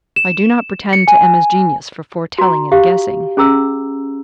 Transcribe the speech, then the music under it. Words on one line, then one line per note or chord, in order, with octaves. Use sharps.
I do not pretend to Emma's genius for foretelling and guessing.
E7
C#7
G#5
F#4 A#5
G4 F5
C#4 G#4 A#5 E6